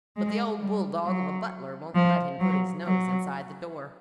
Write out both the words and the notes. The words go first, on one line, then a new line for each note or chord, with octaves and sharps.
But the old bulldog of a butler won't let him put his nose inside the door.
G#3
G3
F#3
F3
F#3
F#3